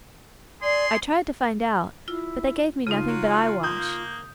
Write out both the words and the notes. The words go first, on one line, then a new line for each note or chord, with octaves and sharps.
I tried to find out, but they gave me nothing but eyewash.
G#4 D5 C6
E4 F4 E6
A2 C#3 D#4 F4 D#7
F#3
A#3 D#6 G6